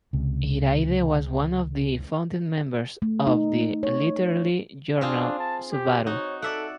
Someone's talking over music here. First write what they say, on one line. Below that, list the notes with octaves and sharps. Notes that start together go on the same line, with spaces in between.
Hiraide was one of the founding members of the literary journal "Subaru".
C#2 C3
A3
D#4
C#5
C4 D4 F4 G#4
A5
G4
D#4 F#4 C#5
A4 D5 E5 F#5